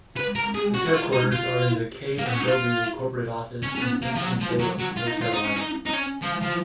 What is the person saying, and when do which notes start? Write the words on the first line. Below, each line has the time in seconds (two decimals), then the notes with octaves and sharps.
Its headquarters are in the K and W Corporate Office in Winston-Salem, North Carolina.
0.17 B4
0.36 A#4
0.55 G#4
0.75 F#4
0.86 F#4
0.94 F4
1.13 D#4
1.32 F4
2.18 A#3
2.26 B3
2.33 C#4
2.40 D#4
2.48 F4
3.63 C#4
3.75 C#4
3.81 B3
4.02 A#3
4.15 F3
4.21 F#3
4.40 F3
4.59 F#3
4.78 F#3
4.96 F4
5.07 D#4
5.21 F4
5.33 D#4
5.45 C#4
5.56 D#4
5.86 D#4
5.94 C#4
6.22 F3
6.42 F3